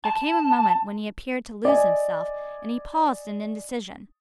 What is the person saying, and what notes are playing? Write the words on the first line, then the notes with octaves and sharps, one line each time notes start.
There came a moment when he appeared to lose himself, and he paused in indecision.
A5
D5 D#5 G#5